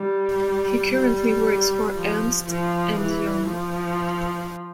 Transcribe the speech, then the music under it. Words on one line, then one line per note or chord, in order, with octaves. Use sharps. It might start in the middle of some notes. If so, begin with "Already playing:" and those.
He currently works for Ernst and Young.
Already playing: G3
G3
F3
F3
E3
F3